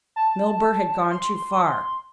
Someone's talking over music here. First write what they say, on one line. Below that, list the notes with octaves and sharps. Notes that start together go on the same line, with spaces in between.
Milburgh had gone too far.
A5
C6